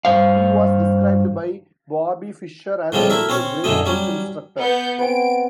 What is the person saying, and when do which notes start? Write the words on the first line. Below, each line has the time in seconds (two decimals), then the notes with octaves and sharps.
He was described by Bobby Fischer as being a great chess instructor.
0.05 G2 C5 F5
2.92 A2 F3 G3 G#3 C4 F4
3.10 A3 E4 A#4 E5
3.29 C4 C#4 C5 C#5
3.64 F#2 D3 E3 A3 D#5
3.86 F#3 G3 C#4
4.59 B3 G6
4.99 B3 C4 G#5 D7